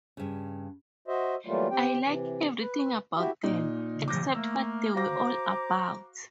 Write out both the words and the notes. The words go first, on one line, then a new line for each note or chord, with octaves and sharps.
I like everything about them, except what they were all about.
G2 C#3
F#4 C5 D#5 E5
E3 F#3 G3 A3 A#3 F4
C4 G4 G5
C3 E3
B4
E4 F#4 G4 E5
A#2 D#4
D6 G6 A#6
A3 A#3 E6
F#4 C5 F5 A#5 D6 A#6